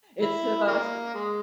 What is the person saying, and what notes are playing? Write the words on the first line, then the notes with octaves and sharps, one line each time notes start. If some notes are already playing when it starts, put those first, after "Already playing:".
It's the most
E4
F#3 A#3
G#3